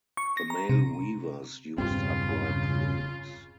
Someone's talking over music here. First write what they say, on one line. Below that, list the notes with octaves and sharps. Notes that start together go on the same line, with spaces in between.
The male weavers used upright looms.
C#6
A#6
A#5
C3
E1 G2 C#3 C4 F4